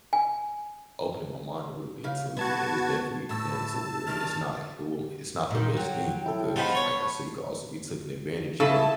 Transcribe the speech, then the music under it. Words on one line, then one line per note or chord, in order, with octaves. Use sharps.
opening my mind a little bit, so, yeah, it's definitely a point to where it's not it won't it's not the best thing because, like I said, you could also be taken advantage of,
G#5
C#3 F5
B3 F#4 A5 G#6
A2 A5 E6
E2 D#3 D4 A5 F6 A6
A#2 D#3
F#3 G5
E4 A4
F3 B3 D#4 F4 A5 B5
C#5 C#6
C#3 E4 A4 A5